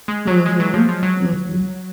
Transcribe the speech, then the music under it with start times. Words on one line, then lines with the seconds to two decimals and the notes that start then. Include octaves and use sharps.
Mhm. Mhm.
0.08 G#3
0.27 F#3
0.46 G#3
0.60 F#3
0.74 F3
0.88 F3
1.03 F#3